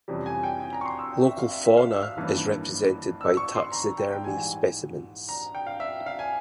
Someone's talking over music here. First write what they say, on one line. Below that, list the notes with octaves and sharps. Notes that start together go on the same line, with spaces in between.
Local fauna is represented by taxidermy specimens.
F2 C3 E3 G3 C#4
G#5
G5
G#5
A#5
C#6
C6
E6
G5
E5
F5
E5
E5
F5
E6
F6
G#1 G2 E3 A#3 C#4
E6
C#6
C6
A#5
G5
G5
A#1 G#2 E3 G3 G#5
A#5
G5
F5
E5
F5
G#5